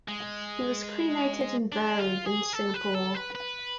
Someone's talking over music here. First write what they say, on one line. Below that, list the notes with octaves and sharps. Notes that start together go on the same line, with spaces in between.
He was cremated and buried in Singapore.
G#3
D4
F4
G#4
A4
B4
A4
B4
B4